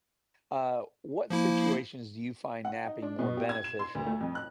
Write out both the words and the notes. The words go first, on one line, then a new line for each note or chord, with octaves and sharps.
uh, what situations do you find napping more beneficial
F3 A#3 E4
F#5
D#4
D4
B2
G4
G#6
E7
C6
D2
A3
F2
F#6